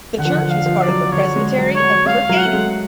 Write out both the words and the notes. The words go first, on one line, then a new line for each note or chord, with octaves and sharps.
The church was part of the presbytery of Kirkcaldy.
D3 F#5
F3
D3
F3
F5
F3
D5
F#3
D3 C#5
G#3
F#3
C#5
F#3
G#3 F5
F#3
F#5
A3
G#3